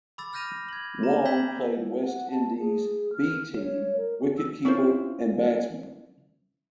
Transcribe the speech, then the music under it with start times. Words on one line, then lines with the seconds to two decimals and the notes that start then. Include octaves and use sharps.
Wong played West Indies ‘B’ team wicketkeeper and batsman.
0.18 B5 D6 E6 A6
0.33 E6 F6 G6 A#6 D#7 F7
0.69 G#6 F#7
1.03 A#5
1.25 E6 G6 G#6 B6 F#7 G7
1.79 E4
2.05 F#5
2.31 A5
2.59 G#4
3.14 F6
3.56 C#5
3.97 A#4
4.19 F#4
4.38 E6
4.65 C#4 E4 F4 C5